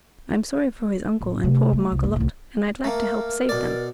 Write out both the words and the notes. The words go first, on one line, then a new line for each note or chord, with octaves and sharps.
I'm sorry for his uncle and poor Margolotte and I'd like to help save them.
A2
C3 A3
A3
C2
F#1
C2 A2
A3 A#3 A#4
B2 D5